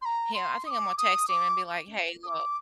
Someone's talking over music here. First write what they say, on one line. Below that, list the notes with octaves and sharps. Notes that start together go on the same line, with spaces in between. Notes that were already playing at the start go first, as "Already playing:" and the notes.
him I think I'm gonna text him and be like, "Hey, look"
C6
A#5
C6
D#6
D6
D#6
D6
D#6
D6